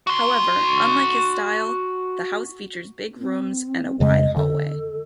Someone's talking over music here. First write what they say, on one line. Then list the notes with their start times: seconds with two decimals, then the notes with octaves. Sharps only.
However, unlike his style, the house features big rooms, and a wide hallway.
0.07 F#4 C6
3.20 C4
4.00 F2 C#3 G#3 D#5
4.37 D3 A4